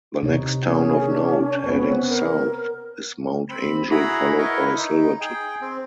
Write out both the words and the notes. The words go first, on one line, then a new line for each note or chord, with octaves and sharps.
The next town of note heading south is Mount Angel, followed by Silverton.
C3 D#4 C#5
A#3 C#4 G#4
D4
B3 C4 B4 C#5
A#4
C4 B5
E4 F#4 G#4 A#5 B5
E4 A#4 B4 C#5 D#5
D#4
G#4 G5
C4